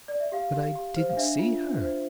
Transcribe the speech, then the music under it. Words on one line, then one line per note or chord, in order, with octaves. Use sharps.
"But I didn't see her."
D5
E5
G4 F5
G4
G4
C5
F5
D4 E5
F4
D4
C5